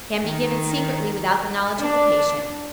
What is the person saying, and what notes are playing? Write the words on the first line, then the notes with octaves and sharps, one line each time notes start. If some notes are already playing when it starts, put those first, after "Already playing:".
Can be given Secretly without the knowledge of the patient.
D#3
D4